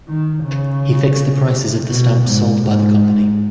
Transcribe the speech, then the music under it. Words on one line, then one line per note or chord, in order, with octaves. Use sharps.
He fixed the prices of the stamps sold by the company.
D#3
C#3
B2
G#2
G#2